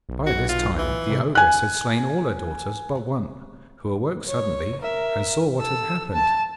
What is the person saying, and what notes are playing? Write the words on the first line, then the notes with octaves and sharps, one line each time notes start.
By this time the ogress had slain all her daughters but one, who awoke suddenly and saw what had happened.
B1
F#4
F4
E3
C3
G#5 F#6
C#5
A#4 E5
A4 E6
A5